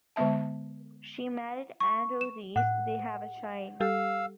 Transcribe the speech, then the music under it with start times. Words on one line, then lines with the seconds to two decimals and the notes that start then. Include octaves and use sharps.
She married Andrew Rees; they have a child.
0.16 D3 G#3 B3 E5 A5
1.80 C#6
2.21 E7
2.56 A2 F#5 F#6
3.80 G3 G4 A4 F5 E6